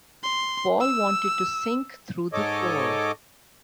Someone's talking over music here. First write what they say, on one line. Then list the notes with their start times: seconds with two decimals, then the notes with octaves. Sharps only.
Paul wanted to sink through the floor.
0.23 C6
0.80 E6
2.33 G#2 A4 C#5 D#5 D6